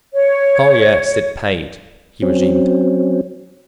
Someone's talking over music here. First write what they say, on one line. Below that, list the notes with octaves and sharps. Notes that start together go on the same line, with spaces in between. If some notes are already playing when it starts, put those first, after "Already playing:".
"Oh yes, it paid," he resumed.
C#5
F#3 C4 C#4